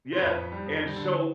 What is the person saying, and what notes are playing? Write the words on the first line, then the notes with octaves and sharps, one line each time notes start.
Yeah, and so,
C5
F2 B4
F2
G3
F2
G3
D3